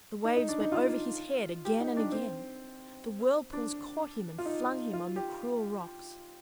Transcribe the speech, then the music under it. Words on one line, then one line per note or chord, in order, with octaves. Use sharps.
The waves went over his head again and again, the whirlpools caught him and flung him on the cruel rocks.
D#4
D#4
D4
D#4
F4
G4
D#4
D4
C4
D4
F4
D#4
F4
G4